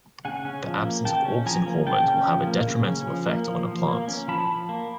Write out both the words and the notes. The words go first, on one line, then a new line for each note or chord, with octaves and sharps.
The absence of auxin hormones will have a detrimental effect on a plant.
C#3 F#5 G#5
C#4
F3
A#3
C#3 G5 A5
C#4
F3 G#5 A#5
A#3
C#3 G5 A5
C#4
F3
A#3
C#3
C#4
F3
A#3
F3
F3
A#3
C#4
F3 A5 B5
F3
A#3